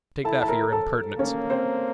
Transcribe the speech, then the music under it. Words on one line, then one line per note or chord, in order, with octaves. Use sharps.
Take that for your impertinence.
E4 A4 A5
A5
A#4 A#5
A4 A5
A#3 C#4 C#5
C4 C5